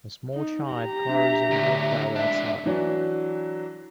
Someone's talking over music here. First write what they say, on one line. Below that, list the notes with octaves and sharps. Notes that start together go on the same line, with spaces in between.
A small child colors in a note pad outside.
D#4
G4 A#5
D4 E5
A2 D3
G#3 D4 E5
E3 F#3 D4